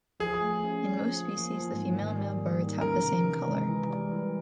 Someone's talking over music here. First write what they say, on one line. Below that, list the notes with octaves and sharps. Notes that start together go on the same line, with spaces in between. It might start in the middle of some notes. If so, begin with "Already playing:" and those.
In most species, the female and male birds have the same color.
F3 G#4
A3
C#4
C#4
F3
A#3
F3
G#2
D#3
G3
A#3
D#3
C#4 A#4
C3
E3
G#3
E3
G3
E3